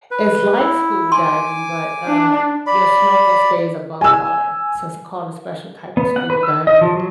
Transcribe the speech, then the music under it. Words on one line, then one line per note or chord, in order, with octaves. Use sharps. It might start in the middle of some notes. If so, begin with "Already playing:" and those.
it's like scuba diving, but, uh, your snorkel stays above water, so it's called a special type of scuba diving.
B4
E4
G#5 C6 D6
D4
D5 B5
G#5 E6
B3
F#5
B4
E6
D#5
F3
F#3